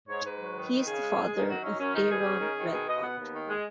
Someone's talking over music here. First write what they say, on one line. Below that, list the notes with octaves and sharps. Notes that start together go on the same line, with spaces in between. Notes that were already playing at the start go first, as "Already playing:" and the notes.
He is the father of Aaron Redmond.
G#2 C#5
G#2 B4
F#3
D#3
D#3
C#3 G#4
G#3
G#3
D#3
F#3 F#4
C#4 D#4
F#2 C#4
D#3 D#4
B2 G#4
C#4
D#3
D#3
B2 G#4
B2 D#5
B3 F#5
D#2
D#3
G#3